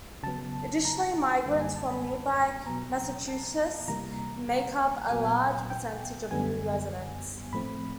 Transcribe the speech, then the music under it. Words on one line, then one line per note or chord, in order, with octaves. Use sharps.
Additionally, migrants from nearby Massachusetts make up a large percentage of new residents.
C#3 F#3 B3 A5
A#5
A5
A5
G#5
F#2 D3 G3 A#3 G5
G#5
A5
B5
B2 F#3 B3 A#5
A5
C3 E3 G3 A#3 A#5
A#2 F#3 B3 G#5
G5
F#2 D3 G3 B3 G#5
A2 F3 A3 C4 B5